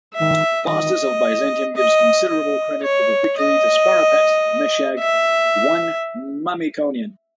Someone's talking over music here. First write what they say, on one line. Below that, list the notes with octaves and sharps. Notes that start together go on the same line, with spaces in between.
Faustus of Byzantium gives considerable credit for the victory to "sparapet" Mushegh I Mamikonian.
E5
D#5
D#5
D#5
C#5
D#5
E5